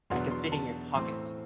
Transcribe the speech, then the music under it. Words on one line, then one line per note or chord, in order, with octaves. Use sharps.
that can fit in your pocket.
E2 B2 F#3 B3 D4 C6
C6
A5
A2 E3 A3 C4 C6